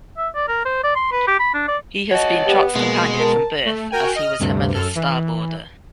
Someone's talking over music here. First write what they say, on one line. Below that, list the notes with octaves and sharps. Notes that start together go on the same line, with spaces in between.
He has been Trot's companion from birth as he was her mother's star boarder.
E5
D5
A#4
C5
D5
C6
B4
G4
B5
D4
D5
F#4 C#5 D#5 A5
B3 G4
B2 G#3 A#3
A#4 A5
A3
F#4 A#4 G5 G#5
D#5 F6
D2 G2 C3
F#2 A4 F6
E3